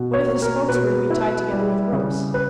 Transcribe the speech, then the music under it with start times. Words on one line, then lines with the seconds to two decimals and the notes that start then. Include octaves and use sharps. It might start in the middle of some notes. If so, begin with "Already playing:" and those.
"What if the spokes were to be tied together with ropes?"
Already playing: B2
0.14 C#5
0.27 A#3
0.42 A#4
0.69 B2 B4
1.10 E4
1.51 G3
1.92 C#3
2.34 B4